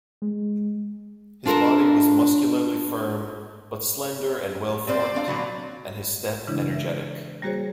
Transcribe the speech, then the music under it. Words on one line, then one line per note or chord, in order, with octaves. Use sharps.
His body was muscularly firm, but slender and well-formed, and his step energetic.
G#3
D4 F4 A4 A#4
A#2 C4 C5 D5
C4 D4 F5
A#2 D3 F#3 B5
C#3 E3 G#3 D4 E4
E5
G3 A#3 F#4 G#4 C5 C#5